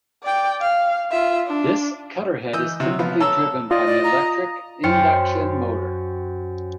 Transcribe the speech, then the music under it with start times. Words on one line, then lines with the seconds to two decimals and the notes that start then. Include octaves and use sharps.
This cutter head is typically driven by an electric induction motor.
0.23 D5 G5
0.60 F5
1.11 F4 E5
1.47 D4
2.53 E3 D#5 E6 G6
2.80 C3 F#3
2.99 F3 B3 F5
3.20 A4 C#5 A5 A#5 E6
3.71 F4 D5 D#5
3.86 D5
4.04 A#5
4.83 F#2 C5 G5 F6 A6 C#7